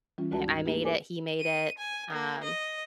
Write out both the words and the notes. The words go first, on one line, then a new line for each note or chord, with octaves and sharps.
eh I made it, he made it, um
E3 G3 C#4 F4
D2 G#3 F#4 D5 A5
G#2 D#4 G#6
A3 A#3 D#4 E4 G4 G#4
G#4 A#4 D5 G#5 D6
D#7
G#5
A#3
D#5